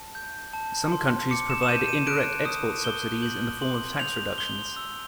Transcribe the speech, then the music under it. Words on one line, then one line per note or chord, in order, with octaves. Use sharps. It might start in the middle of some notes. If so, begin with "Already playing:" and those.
Some countries provide indirect export subsidies in the form of tax reductions.
Already playing: A5
G6
A5
C6
D6 C#7
E7
E7
G6 D#7
D#7
F#6 D7
D#6
G6 G7
G6 F#7
C6 F#7
G6 F7
C6 G7
E6